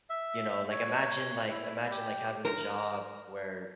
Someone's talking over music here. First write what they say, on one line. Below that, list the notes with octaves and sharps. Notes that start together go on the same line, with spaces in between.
you know, like, imagine like imagine like, having a job where,
E5
C#5
E4
G4
A#4